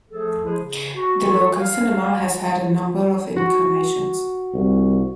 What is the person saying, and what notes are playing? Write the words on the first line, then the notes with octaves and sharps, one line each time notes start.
The local cinema has had a number of incarnations.
F3 A3 G#4 A4
F3 G#3 E4 G#4
C#3
F#4
G4 A4 E5 C6 C#6
F5
F#4
C2